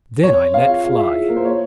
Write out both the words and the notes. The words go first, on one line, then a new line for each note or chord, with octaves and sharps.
Then I let fly....
C4 C#5
C4
G#4 F5
F4
G#4 F5
E4 E5
G#4
A#3 A#4
C5
C#5 E5